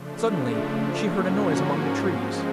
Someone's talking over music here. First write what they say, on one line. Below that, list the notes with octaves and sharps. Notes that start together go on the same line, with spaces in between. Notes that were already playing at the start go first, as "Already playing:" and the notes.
Suddenly she heard a noise among the trees.
Already playing: C#3 F3 A3 D4
G#2 F3 A#3 C#4 F#4
F3 G#3 C4